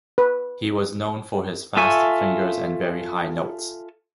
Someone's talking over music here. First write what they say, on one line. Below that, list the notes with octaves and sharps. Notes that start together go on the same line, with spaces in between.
He was known for his fast fingers and very high notes.
B4
F4 A4 E5 G#5 C#6